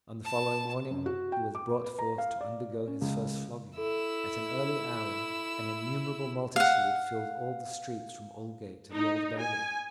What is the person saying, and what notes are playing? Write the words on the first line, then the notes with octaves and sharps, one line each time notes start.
On the following morning he was brought forth to undergo his first flogging. At an early hour an innumerable multitude filled all the streets from Aldgate to the Old Bailey.
A5
F#2
F#4
G5
D6
B4
A#5
F5
D5
C#4
C#2
E4 A4 E6
F5 F#5
D#4
G#5